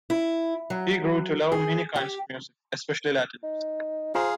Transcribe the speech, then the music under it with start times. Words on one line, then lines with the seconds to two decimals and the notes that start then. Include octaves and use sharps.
He grew to love many kinds of music, especially Latin music.
0.10 E4
0.70 F#3
1.52 G#4
1.96 G4
3.43 D#4
4.15 F4 G#4 C5 F5 A#5 C6